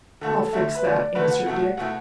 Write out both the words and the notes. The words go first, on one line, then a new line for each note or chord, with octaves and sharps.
"I'll fix that," answered Dick.
D3 A3 F#4 A4
D3 A3 F#4 E5
B4
D3 A3 F#4 D5
D3 A3 F#4 B4
F#5
B2 A3 E4 F#5
B2 A3 E4 F#5